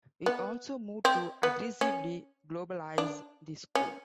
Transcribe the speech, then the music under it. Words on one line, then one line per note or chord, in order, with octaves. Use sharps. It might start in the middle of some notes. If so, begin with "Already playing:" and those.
He also moved to aggressively globalize the School.
B3
C4
B3
C#4
D4
C#4